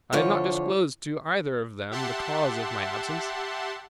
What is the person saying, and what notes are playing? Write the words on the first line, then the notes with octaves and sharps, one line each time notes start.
I had not disclosed to either of them the cause of my absence.
E2 D3 F3 C#5
G4 E5 F#5 A5 C6